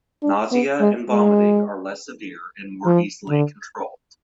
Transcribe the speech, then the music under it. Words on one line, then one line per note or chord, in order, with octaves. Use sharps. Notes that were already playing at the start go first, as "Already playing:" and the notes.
Nausea and vomiting are less severe and more easily controlled.
D4
B3
G#3
G#3
F3
D3